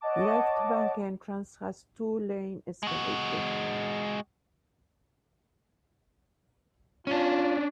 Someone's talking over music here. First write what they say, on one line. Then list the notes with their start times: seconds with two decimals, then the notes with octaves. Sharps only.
Left bank entrance has a two-lane escalator.
0.01 C#5 D#5 F#5 A5 D6
2.83 G#3 F#4
7.07 C#4 D4 F4